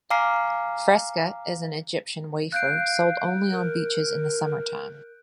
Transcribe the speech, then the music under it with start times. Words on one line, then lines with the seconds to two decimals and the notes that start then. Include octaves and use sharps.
"Freska" is an Egyptian wafer sold only on beaches in the summertime.
0.10 F5 G#5 A#5 D6 F6 C7
2.52 F5 F#6 G6 D7
3.51 A#4